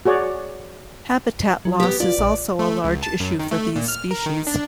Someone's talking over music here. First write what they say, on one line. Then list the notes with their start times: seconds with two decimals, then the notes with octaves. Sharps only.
Habitat loss is also a large issue for these species.
0.05 F#4 G#4 C#5 D5
1.65 F#3
1.80 B3 G4
2.00 F4 D5
2.19 A#1
2.59 A3
2.84 C#2
3.03 A5
3.20 F#2
3.39 D#3
3.51 A3
3.76 A#2
3.88 F6
4.11 A#4
4.26 D#3
4.47 D4